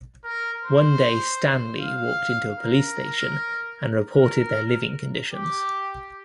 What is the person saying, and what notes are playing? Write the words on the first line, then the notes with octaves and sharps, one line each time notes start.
One day Stanley walked into a police station and reported their living conditions.
A#4
C5
F5
A#4
A#4
G4